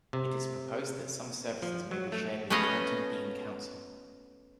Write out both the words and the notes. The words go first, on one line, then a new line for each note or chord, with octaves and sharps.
It is proposed that some services may be shared with Taunton Deane council.
C3
F3
F#3
A3
A3 B3 C#4 F#4 D#5 F5